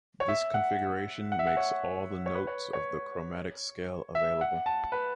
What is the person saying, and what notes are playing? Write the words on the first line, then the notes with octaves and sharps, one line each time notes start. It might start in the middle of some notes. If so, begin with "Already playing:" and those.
This configuration makes all the notes of the chromatic scale available.
C#5
E5
F#5
F#5
E5
F#5
C#5
C#5
B4
C#5
C#5
E5
F#5
A5
B4